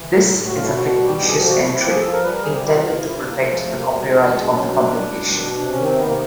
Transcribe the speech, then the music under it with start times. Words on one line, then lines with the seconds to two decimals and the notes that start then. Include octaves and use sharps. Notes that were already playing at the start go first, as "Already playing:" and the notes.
This is a fictitious entry, intended to protect the copyright of the publication.
Already playing: E3
0.13 A2
0.33 A2
0.46 F#4
0.54 B2 F4
0.65 E4
0.75 B2 F#4
0.86 F#4
0.96 G3 F#4
1.07 G4
1.17 B2 G4
1.27 G#4
1.38 F3 G4
1.49 F#4
1.59 C3 E4
1.70 E4
1.80 F3 G4
1.90 G#4
2.01 F3 A4
2.11 A#4
2.22 G3 B4
2.32 A#4
2.43 C3 G#4
2.53 G4
2.63 C3 E4
2.74 F4
2.85 C3 F4
2.95 F4
3.06 C3 E4
3.16 D4
3.26 C3 A#3
3.47 F3 G#3
3.61 A3
3.68 C3
3.75 A#3
3.89 B2 G3
4.04 G#3
4.10 B2
4.17 G3
4.31 B2 G#3
4.43 D4
4.52 F#3 C#4
4.73 G3 D4
4.94 G3
5.15 B2
5.36 B2
5.57 C3 D4
5.71 C#4
5.78 D#3
5.85 C4
5.98 C3 B3
6.06 A#3